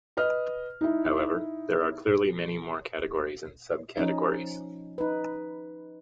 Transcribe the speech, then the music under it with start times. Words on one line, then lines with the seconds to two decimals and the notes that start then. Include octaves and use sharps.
However, there are clearly many more categories and sub-categories.
0.17 B4 D#5 F6
0.81 D#4 E4
3.97 F3 C#4 D#4
4.98 D#4 B4